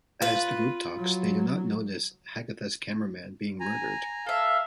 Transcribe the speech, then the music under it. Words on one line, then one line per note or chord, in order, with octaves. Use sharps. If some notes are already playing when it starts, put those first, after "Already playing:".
As the group talks, they do not notice Hagitha's cameraman being murdered.
F4 B4
F#3
G#5 A#5
A4 E5 F5